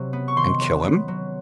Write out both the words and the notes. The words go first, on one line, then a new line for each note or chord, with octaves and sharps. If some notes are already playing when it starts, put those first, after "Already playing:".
"And kill him?"
Already playing: C3 F#3
B3
C#6
D#3 C6
F#3
B3
F#3